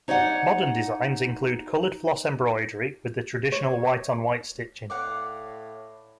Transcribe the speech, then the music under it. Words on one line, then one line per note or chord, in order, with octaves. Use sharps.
Modern designs include colored floss embroidery with the traditional white on white stitching.
D#4 C#5 D5 E5 F#5
C#5
A2 D5 F5 F#5